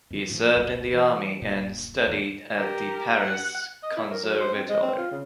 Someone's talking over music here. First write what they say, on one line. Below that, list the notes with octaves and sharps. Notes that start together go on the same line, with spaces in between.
He served in the army and studied at the Paris Conservatoire.
F2 D3
A2 F3
F#1 C#2 A2 F#3
E3
D1 F#2 A#2
D#2 G#2
G4 A#4
F#5
D#5
E4
A#4
F#3
C5
C4
G#3
C4
F4
C#3